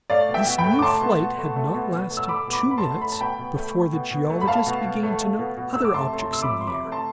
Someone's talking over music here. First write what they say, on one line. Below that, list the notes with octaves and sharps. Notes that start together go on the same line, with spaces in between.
This new flight had not lasted two minutes before the geologist began to note other objects in the air.
A3 D5 F5
B2
E5 G5
B2
G5 B5
A3
D6
A3 A5 C6
B2
B2
A3
A3
B2
B2
A3
E6
A3 B5 D6
B2
B5 D6
B2
B5
A5 C6
A3
A3 B5
A5
B2 G5 B5
B2
A3
A3
B2
B2
A3
B5
A3 F5 A5
B2
B2
A3
A3
B2
B2
A3 E6
D6
C3 A5 C6
A3
A5 C6
C3 E6
B5 D6
F3
C6
C3 B5 D6
A3
A5 C6